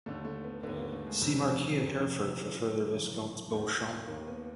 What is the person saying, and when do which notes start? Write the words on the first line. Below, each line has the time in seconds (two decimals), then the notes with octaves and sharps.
See Marquess of Hertford for further Viscounts Beauchamp.
0.06 D#2 D3 A3
0.25 A3
0.44 B3
0.63 D#2 D3 B3
0.77 A#3
0.92 A3
1.07 G#3
1.21 F1 F2 C3
1.78 F1 F2 C3
2.35 G1 F#2 C#3 E3
2.93 G1 F#2 C#3 E3
3.50 D#2 D#3 A3
4.07 D#2 D#3 A#3
4.27 B3